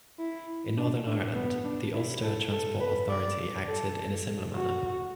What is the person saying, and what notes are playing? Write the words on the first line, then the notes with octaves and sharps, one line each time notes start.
In Northern Ireland, the Ulster Transport Authority acted in a similar manner.
E4
D4
D4
B3
D4
E4
A4
A4
B4
D5
A4
F#4